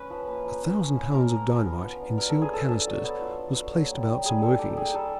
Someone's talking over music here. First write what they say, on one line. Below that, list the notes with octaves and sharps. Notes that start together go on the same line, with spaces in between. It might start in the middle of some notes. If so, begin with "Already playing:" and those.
A thousand pounds of dynamite, in sealed canisters, was placed about some workings.
Already playing: C#4 B4
F3
A#3
F3
C#4
F3
A#3
F3 A#4
C#4
F3
B3
F4
D4
F#3 A#4
B3 A4
G#4
F4 A4
D4
F#3
B3
F4
D4
F#3
A#3
G3
D#4
G3 G#4
A#3 A4
G3 G4
D#4 G#4
G3 A4